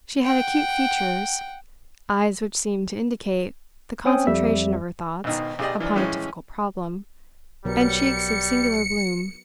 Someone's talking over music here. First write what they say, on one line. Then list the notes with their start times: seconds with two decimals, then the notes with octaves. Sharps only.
She had acute features; eyes which seemed to indicate the concentration of her thoughts upon a difficult problem, and cheeks of singular bloom.
0.24 F#5 G5
4.05 C4 C#4 G5 D#6
4.27 F2 G3 E5
5.24 B1 G#2 B2 D#3
5.59 B1 G4 G#4 D5 D#5
5.80 E3 F3 D4
5.95 A2 E3 G#3 C#4
7.65 B1 F#3 G3 B3 A#4 C#7